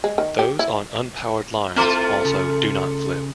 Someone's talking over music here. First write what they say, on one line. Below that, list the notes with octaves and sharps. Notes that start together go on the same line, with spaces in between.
Those on unpowered lines also do not flip.
G#3
D#3
G4
E4
A3 C4 E4 F4 C5
C#3